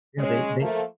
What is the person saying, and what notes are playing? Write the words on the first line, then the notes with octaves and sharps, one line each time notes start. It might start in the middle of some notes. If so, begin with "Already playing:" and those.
You know, they they
G#3 C#4
F3 A3 A#3